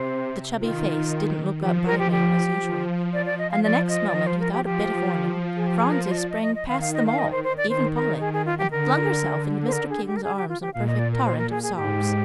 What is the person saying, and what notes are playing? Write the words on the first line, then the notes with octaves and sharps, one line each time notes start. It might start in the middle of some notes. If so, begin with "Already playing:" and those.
But the chubby face didn't look up brightly, as usual: and the next moment, without a bit of warning, Phronsie sprang past them all, even Polly, and flung herself into Mr. King's arms, in a perfect torrent of sobs.
Already playing: C3 C5
D#3 F4
F3 G4
A#4
G4
G4
F3
D5
D5
D#5
F5
F3 D5
D#5
D5
D#5
C5
A#4
G4
F3 G4
G#4
G4
G#4
A#4
C5
D#5
D5
D#5
D#5
D#5
D#3 F5
F5
D#5
F5
D#5
C5
C5
D5
D#3 C5
A#4
G#4
G#4
F4
G4
D3 A#4
C5
A#4
G#4
G4
A#4
G#4
G4
F4
G4
A#2 F5
D#5
D5
A#4
C5
A#4
G#4
G#4
G#2 G4